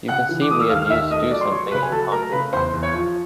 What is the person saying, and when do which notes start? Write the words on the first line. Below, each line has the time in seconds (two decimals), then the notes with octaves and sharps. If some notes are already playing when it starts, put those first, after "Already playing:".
You can see we have used DoSomething in concreteFactory.
0.08 C#3 F#5 F#6
0.29 E3
0.41 D6
0.50 A3 D#6
0.60 E6
0.70 D#2 F5 F6
0.82 F6
0.90 D#2 E5 E6
1.11 A3 D#5 D#6
1.31 F#3 D5 D6
1.41 C6
1.51 F#3 C#5 C#6
1.71 C#3 B4 B5
1.82 G#5
1.91 F#3 A4 A5
2.12 A3 A#4 A#5
2.32 C#3 B4 B5
2.53 E2 C5 C6
2.73 E2
2.83 C#5 C#6
2.94 F3